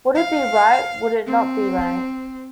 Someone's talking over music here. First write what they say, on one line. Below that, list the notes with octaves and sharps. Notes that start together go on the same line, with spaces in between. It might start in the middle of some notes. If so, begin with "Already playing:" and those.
Would it be right, would it not be right?
F5
C4